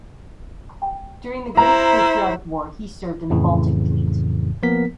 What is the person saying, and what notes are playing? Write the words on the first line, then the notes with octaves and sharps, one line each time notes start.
During the Great Patriotic War he served in the Baltic Fleet.
E4 C5 A#5
F2 A2 C#3 E3
F3 A#3 B3 A#4 B6